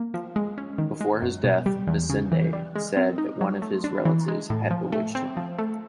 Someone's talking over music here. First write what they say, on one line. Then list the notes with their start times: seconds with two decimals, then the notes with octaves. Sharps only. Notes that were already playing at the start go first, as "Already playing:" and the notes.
Before his death, Masinde said that one of his relatives had bewitched him.
Already playing: A#3
0.14 F3
0.36 G#3
0.58 C#4
0.78 D#3
1.01 G#3
1.22 F#2
1.44 B2
1.66 G3
1.87 E2
2.10 C#3
2.32 E3
2.53 G3
2.75 G#3
2.97 C4
3.18 D#4
3.41 F#3
3.62 A3
3.84 D4
4.05 E3
4.28 G#3
4.50 A2
4.71 F3
4.92 A3
5.15 C4
5.37 F3
5.59 A3